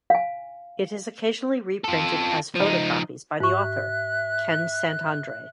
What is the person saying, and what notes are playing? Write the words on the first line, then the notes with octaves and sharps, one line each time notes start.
It is occasionally reprinted as photocopies by the author, Ken Saint Andre.
F5 G#5
F4 A4
F3 D#4
G#2 E5 C#6 F#6